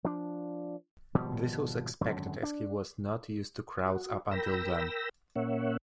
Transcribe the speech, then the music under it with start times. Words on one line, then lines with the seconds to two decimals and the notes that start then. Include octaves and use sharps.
This was expected, as he was not used to crowds up until then.
0.05 F3 D4
1.15 G#1 B2 F3 G3
2.01 G#1 F#2 D3 F#3
2.43 D4
3.86 F#4
4.31 A#4 G5 B5 E6 A#6
5.36 A#2 A#3 C#4 C#5 E5 F#5